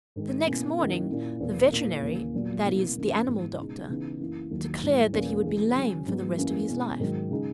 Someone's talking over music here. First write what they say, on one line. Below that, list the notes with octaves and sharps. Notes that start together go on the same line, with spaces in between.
The next morning the veterinary--that is, the animal doctor--declared that he would be lame for the rest of his life.
G#2 D#3 G#3
B2 A#3 C#4 E4
F#2 D#3 A#3 E4
A#2 A#3 C#4 E4
E2 B2 A#3 E4
A#2 A#3 E4
D#2 C#3 E3 A#3 C#4
A#2 F#3 B3
C#2 B2 A#3 E4
F#2 D#3 F#3 A#3 E4
G#2 E3 B3 E4
C#2 B2 G#3 D#4
C#3 E3 B3 D#4
F#2 E3 A#3 E4
D#2 D#3 F#3
G#2 E3 G#3
E2 B2 A#3 C#4
C#3 E3 G#3
C#3 F#3 C#4
G#2 F#3 B3
F#2 E3 A#3 C#4
B2 G#3 C#4 E4
G#2 D#3 F#3
C#3 G#3 D#4